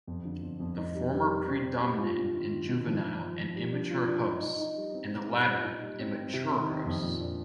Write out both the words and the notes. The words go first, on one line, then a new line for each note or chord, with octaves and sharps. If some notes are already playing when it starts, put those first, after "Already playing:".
The former predominate in juvenile and immature hosts, and the latter in mature hosts.
F2
D3
F2
F2
D#4
G3
G3
G3
C4
C4
G3
F4
G2
D#3
G2
D#3
F3
F3
F3
F3
G3
D4
F4
D4
D#4
D#4
D#4
G3
C4
C4
G3
A#2
D#4
G3
C4
C4
C3
D#3
D#3
F2
A#2
D4